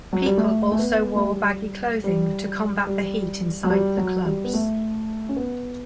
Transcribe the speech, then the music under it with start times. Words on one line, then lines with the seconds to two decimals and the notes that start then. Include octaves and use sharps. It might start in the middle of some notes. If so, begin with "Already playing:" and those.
People also wore baggy clothing to combat the heat inside the clubs.
0.13 F#3
0.26 G3
0.37 A3
0.72 A3
0.79 B3
1.15 A3
1.21 G3
2.04 G3
2.87 G3
3.64 F#3
3.70 G3
3.97 F#3
4.26 G3
4.44 B3
4.54 A3
5.29 C#4
5.36 B3